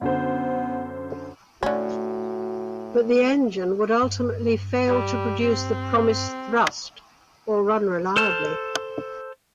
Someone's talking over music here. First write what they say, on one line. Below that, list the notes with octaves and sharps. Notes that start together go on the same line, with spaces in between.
But the engine would ultimately fail to produce the promised thrust or run reliably.
F#2 D3 B3 C5
A2 D3 A3 C#4 F#4
G2
G3
C4
A4 C5 A5 F6